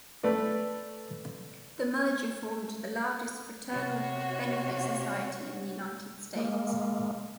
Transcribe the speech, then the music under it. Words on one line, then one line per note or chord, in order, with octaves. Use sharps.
The merger formed the largest fraternal benefit society in the United States.
A3 B4 D5
C3 F#4 C#5
G#3 A#3